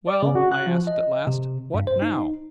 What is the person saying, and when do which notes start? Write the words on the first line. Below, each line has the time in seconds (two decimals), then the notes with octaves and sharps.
"Well," I asked, at last, "what now?"
0.07 D5
0.22 C#3
0.35 F#4
0.52 F#6
0.66 F3
0.87 D#5
1.27 C3
1.74 G2
1.87 C5
2.02 D#4